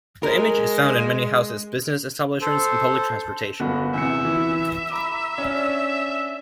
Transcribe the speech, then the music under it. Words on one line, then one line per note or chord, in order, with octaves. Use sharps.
The image is found in many houses, business establishments, and public transportation.
G#3 A#4
A4 C5
G1 B3 F#4
E2 C3 E5 C#7
E3
A#5 B5 D6
C#4 D4